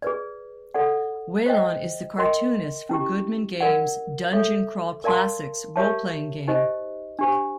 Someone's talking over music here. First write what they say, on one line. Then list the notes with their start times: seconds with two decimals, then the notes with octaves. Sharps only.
Whelon is the cartoonist for Goodman Game's 'Dungeon Crawl Classics' Role Playing Game.
0.02 G#4 B4 D5
0.74 A4 D5 F#5
1.46 C5 D#5 G5
2.18 A#4 D#5 G5 C6
2.89 C#4 E4 G4
3.60 A#4 D5 F#5
4.33 A4 C#5 E5
5.04 A#4 D5 F5 A5 C6
5.76 G4 A#4 C#5 E5 A5
6.48 D#4 G4 C5 D#5
7.19 D4 G4 C5